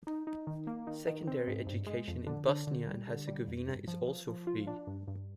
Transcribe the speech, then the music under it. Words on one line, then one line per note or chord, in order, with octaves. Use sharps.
Secondary education in Bosnia and Herzegovina is also free.
D#4
D#4
D#3
A#3
D#3
D#3
C4
G#2
G2
G#3
F2
D3
D4
D3
G3
D3
G3
F2
G2
F3
F3
F3
F4
D4
G2
G2